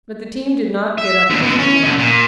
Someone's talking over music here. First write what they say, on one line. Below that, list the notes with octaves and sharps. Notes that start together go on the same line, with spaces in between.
But the team did not get up at the command.
E5
D#2 D3
B2 D3
C#4
F#2 D3
A#2